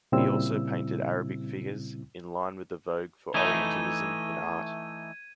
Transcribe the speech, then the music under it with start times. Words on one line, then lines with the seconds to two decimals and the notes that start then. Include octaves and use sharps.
He also painted Arabic figures, in line with the vogue for Orientalism in art.
0.12 A#2 C#3 G3 C4 E4 E6
3.34 E3 A3 D#4 G#6 D#7